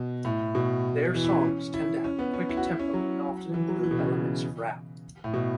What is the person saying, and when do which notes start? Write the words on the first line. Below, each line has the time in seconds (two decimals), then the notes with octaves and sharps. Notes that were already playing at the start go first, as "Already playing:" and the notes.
Their songs tend to have a quick tempo and often include elements of rap.
Already playing: B2
0.25 A2
0.55 B2
1.14 E3
1.25 E4
1.30 C#4
1.74 E4
2.04 C#4
2.19 B3
2.34 C#4
2.49 E4
2.57 F#4
2.64 E4
2.79 C#4
2.94 F#3
3.54 E3
3.69 F#3
3.83 E3
3.91 B2
3.99 C#3
5.24 A2
5.34 B2